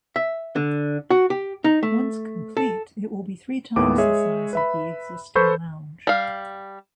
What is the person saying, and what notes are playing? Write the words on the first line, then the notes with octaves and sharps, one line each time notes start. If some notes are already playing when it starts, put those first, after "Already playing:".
Once complete, it will be three times the size of the existing lounge.
E5
D3
F#4
G4
D#4
A3
A4
D#2 A2 B3 D6
G#3 G#4 C#5 E5
B4 E5 B5
A4 B4 C5 B5 C#6 G6
G3 F5